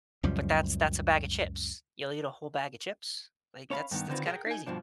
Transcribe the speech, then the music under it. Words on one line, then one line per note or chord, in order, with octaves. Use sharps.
but that's that's a bag of chips. You'll eat a whole bag of chips. Like, that's that's kinda crazy.
C#2 F#2 F3 G3
C#4 C#5 F5 A#5 B5
G2 D#3 B3
D3 D#3 C4 D#4 F4 B4
G#4 A#4 D#5 E5 F#5 G5
D#4 G#5
G2 B2 F3 D4